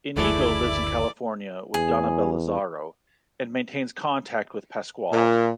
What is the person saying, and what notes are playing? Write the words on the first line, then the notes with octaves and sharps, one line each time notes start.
Inigo lives in California with Donabelle Lazaro, and maintains contact with Pascual.
F#1 D2 E3 A3 E4 G#4 D5
E2 G#4
A#2